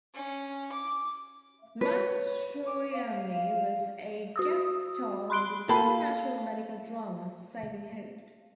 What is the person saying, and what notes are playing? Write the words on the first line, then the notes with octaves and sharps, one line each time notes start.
Mastroianni was a guest star on the supernatural medical drama "Saving Hope".
C#4
D6
B4 C#5
D6
F5
F#4 D#6 E6
B5 C6 F#6 D7 G7
A#3 A4 F5 G5 B5